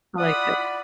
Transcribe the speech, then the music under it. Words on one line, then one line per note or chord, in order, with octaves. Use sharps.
I like that.
E4 F4 D5 F#5 B5 D#6